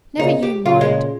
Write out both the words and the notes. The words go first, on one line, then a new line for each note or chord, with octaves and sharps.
'Never you mind.
A#2 C#3 D#4
G4
A#2 C#3 F4
G#3